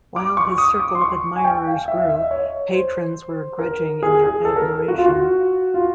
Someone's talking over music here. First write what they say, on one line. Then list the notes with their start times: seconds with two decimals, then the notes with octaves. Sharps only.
While his circle of admirers grew, patrons were grudging in their admiration.
0.16 D6
0.37 C#6
0.58 D#6
0.79 D6
0.95 C6
1.01 C#6
1.36 G#5
1.44 G5
1.66 F5
1.88 E5
1.98 F5
2.09 E5
2.20 D#5
2.31 C#5
2.73 C5
3.59 A#4
4.03 G#4
4.24 G#4
4.45 A4
4.56 A#4
4.88 F#4
4.98 F4
5.06 F#4
5.74 F4